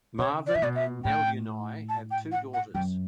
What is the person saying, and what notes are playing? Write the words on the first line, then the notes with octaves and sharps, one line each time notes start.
Marvan and Neluni have two daughters.
C#3 C#5
D5
C#3 E5
B2 D5
E5
A2 G5
A5
G5
F#5
F#5
F#2 G5